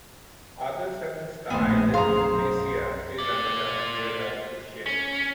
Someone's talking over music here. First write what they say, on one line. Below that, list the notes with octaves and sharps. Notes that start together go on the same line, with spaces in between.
Others have been styled a new messiah still under the umbrella of Christianity.
A#1 D#2 A2 B3 C5
B1 F#2 G#4 C5 F5 A#5 C6 D#6
F4 D5
C#4